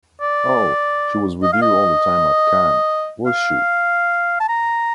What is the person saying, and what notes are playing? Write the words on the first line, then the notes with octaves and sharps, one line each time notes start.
Oh, she was with you all the time at Cannes, was she?
D5
D#5
F5
D#5
F5
A5
A#5